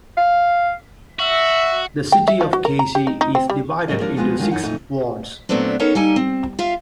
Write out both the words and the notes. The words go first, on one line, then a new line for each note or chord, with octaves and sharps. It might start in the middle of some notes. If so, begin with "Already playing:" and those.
The City of Casey is divided into six wards.
F5
F#4 E5
G5
E5
F3
F#4
A#4
A#5
G4
D#4
D#4
C4
G3
A2 F#3 G#3 A#4 D#5
F3 G3 A#3 D4 A#4
F3 G3 G#3 B3 C4 F4
D3 D#3 F3 G#3 D4 F4
F#2 D#4 F#5
F2 A#2 A3 D#4
A#2 F#3 A3 B3 C4 D4
B3 C#4 D#4 A4 A#4 C#5
G3 A#3 D#4 A4 G#5
C4
F4 E5 F5